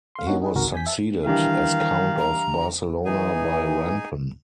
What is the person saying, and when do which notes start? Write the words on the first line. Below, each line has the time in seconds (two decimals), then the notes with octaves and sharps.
He was succeeded as Count of Barcelona by Rampon.
0.15 F5 C6
0.27 A#3 C#4 D#4 F#4
0.42 D#4 G#4 B4
0.54 G#1 C#2 C3 D#3 F#4 A#4
0.73 E2 G#5 G6 B6
0.86 E5 A5
1.26 D#3 E3 G3 D4 F5
2.18 A#5
3.05 E3 D#4 G#4 G#5